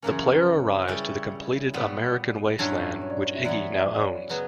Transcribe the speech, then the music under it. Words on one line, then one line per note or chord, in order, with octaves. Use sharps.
The player arrives to the completed American Wasteland, which Iggy now owns.
F#2 C#3 E3 A#3 C#4 A#4
B4
C#5
C#3 G3 C#4 E4
A#2 G3 B3
G2 F#3 C#4 E4 C#5
C#5
D5
C#5
E5
F#2 E3 B3 D5
D5
D5
C#5
C#3 F#3 B3 B4